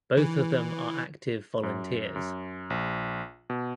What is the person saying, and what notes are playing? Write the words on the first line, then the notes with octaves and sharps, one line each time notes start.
Both of them are active volunteers.
E3
F#2
F#2
A#1
B2